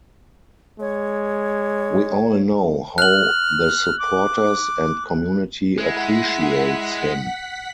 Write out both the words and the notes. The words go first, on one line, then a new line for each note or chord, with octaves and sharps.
We all know how the supporters and community appreciates him.
G#3 C#5
F6 F#6 F#7
D6
G#3 E4 F#5 B6